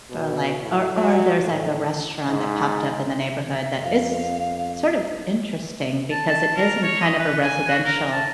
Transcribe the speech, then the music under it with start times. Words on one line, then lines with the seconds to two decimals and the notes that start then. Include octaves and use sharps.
or like or or there's, like, a restaurant that popped up in the neighborhood that is sort of interesting because it is in kind of a residential
0.10 B2
0.62 A2
0.95 F#3
1.43 A2
2.28 G#2
3.83 F2 F5
6.11 A5
6.29 A5
6.56 A#4
6.83 C#5
7.01 D#5
7.19 B4
7.44 G#5
7.68 F#4
7.85 A#4
8.12 A5